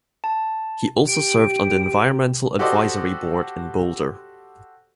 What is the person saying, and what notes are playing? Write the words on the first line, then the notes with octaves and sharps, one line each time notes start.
He also served on the Environmental Advisory Board in Boulder.
A5
G4 D7
F#4 G4 A4 C5 D5 D#5